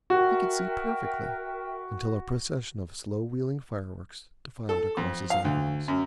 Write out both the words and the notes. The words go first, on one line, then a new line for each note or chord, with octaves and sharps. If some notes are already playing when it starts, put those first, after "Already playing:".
He could see perfectly, until a procession of slow-wheeling fireworks defiled across his eyeballs.
F#4 A#4 E5 G5
A4
F2
F5
D2
F#2